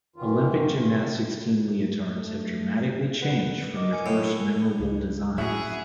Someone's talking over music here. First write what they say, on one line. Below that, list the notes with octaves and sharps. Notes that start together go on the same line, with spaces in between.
Olympic gymnastics team leotards have dramatically changed from their first memorable designs.
F#2 D#3 E3 F4
A3
B4 F#5
A#4 D#5 D6
A#4 G#5 C#7
A2 E6
C#2
A2 C#4 E4 F#4 G#4